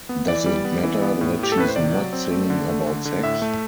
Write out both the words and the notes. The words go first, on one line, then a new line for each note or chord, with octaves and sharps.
Does it matter that she's not singing about sex?
B3
E3 D5
G3
B3
E3
B3
A2
A2 G4
A4
A2 B4
C5
C3 D5
F#3
C4
A3
D3
A3
D3
D3
A2 E5
A3